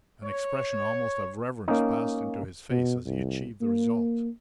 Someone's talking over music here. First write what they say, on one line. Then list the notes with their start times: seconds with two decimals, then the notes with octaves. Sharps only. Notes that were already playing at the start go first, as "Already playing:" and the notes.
An expression almost of reverence passed into his face as he achieved the result.
0.24 C#5
1.68 A#3 C#4 D#4
2.71 B2
3.06 C2
3.62 A#3